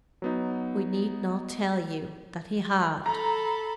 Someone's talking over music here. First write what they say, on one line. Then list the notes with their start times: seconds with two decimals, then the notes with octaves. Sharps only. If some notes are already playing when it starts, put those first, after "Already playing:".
We need not tell you that he had.
0.22 F#3 B3 D#4
3.06 A4 A#5 B5